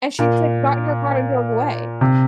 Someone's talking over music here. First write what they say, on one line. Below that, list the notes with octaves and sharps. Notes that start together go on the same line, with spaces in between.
And she's, like, got in her car and drove away.
A#2
C3